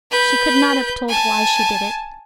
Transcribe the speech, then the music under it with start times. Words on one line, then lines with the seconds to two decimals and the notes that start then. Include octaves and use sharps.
She could not have told why she did it.
0.11 B4 G6
1.08 G#5 A5